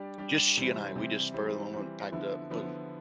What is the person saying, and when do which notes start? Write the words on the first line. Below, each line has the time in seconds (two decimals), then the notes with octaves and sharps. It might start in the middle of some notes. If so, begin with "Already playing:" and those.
Just she and I, we just spur of the moment, packed up, and boom.
Already playing: G3 D4 G4 D5
0.18 G3 D4 G4 D5
0.57 C3 E3 G3 C4
0.96 C3 E3 G3 C4
1.34 E3 G3 C4
1.73 E3 G3 C4
2.12 D3 F3 B3 E4
2.50 D3 F3 B3 E4